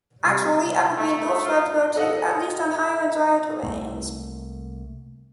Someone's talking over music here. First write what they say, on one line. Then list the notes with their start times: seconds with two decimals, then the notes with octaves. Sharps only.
Actually, evergreen dwarf shrubs grow too, at least on higher and drier terrains.
0.22 C3 G3
0.96 A3
1.45 F4
1.96 A4 D#5 F5 F#5
3.63 C2 A3 A#3